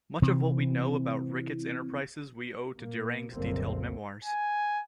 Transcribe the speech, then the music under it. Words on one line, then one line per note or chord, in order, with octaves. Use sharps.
Much of what we know about Ricketts's enterprises we owe to Durang's detailed memoirs.
C3 E3 C4
A#2 A#3
F#1 C2 A#2 D3 A#3 C4
G#5